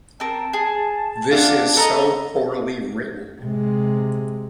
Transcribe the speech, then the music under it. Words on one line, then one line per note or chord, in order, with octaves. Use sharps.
This is so poorly written.
C4 A#4 A5
G#4
A#3 D4 F4 E5 F#5
A4 B4 D#5 A#5
C3 G#3